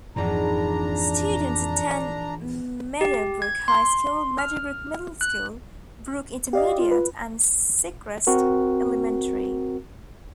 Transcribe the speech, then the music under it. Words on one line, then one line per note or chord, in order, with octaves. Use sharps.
Students attend Meadowbrook High School, Meadowbrook Middle School, Brook Intermediate and Secrest Elementary.
A#1 F2 G#2 E3 D4 A#5
G4
G#6
C6
F6
F#6
G4 D5 D#5 F5
F4
B4
C4 F#4 A#4